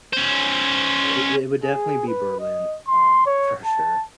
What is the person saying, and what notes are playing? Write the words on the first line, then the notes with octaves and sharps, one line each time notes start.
It it would definitely be Berlin, um, for sure.
C#4 C5
G#4
B4
D#5
C6
C#5
A5